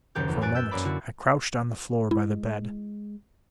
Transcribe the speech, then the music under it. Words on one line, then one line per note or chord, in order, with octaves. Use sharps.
For a moment I crouched on the floor by the bed.
F#1 D#2 D#3 G4 G6
E2
F#2 G#5 F#6 A6 D7
E6 G6 B6
F#2 A#3 D5 B5
D3 E4 F#4
G#3 E4